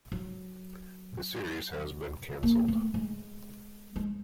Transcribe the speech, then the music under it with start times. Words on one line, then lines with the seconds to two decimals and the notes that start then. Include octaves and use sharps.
The series has been cancelled.
0.12 F#3
2.43 A#3
2.68 A3
2.94 G#3
3.96 G#3